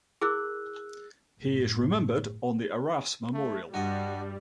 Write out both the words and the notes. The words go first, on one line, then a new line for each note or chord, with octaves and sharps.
He is remembered on the Arras Memorial.
E4 G#4 A#4 D6 E6 F#6
F#1 A2
A3
G2 G3 D4 F#4 D#5 F#5